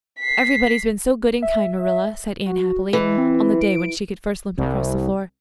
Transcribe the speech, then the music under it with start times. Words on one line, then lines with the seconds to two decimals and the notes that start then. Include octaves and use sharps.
"Everybody has been so good and kind, Marilla," sighed Anne happily, on the day when she could first limp across the floor.
0.19 B6 C7
1.42 E5
2.46 F#4
2.93 E3 G#3
3.18 C4
3.61 D7
4.57 C2